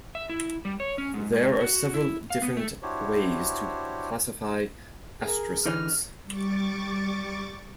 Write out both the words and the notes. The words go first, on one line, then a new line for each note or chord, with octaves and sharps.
There are several different ways to classify astrocytes.
E5
E4
G3
C#5
C#4
G#2
F#4
E4
F5
B3
A3
D4 E4 F#4 G4 C5 C#5
G#4 A#4
D3 E3 D#4 F6
G3 C#6 D6 A6